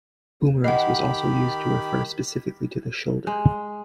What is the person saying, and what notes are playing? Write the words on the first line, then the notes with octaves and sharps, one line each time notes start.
Umerus was also used to refer specifically to the shoulder.
D#3 G4 D#5 F#5 B5
G#3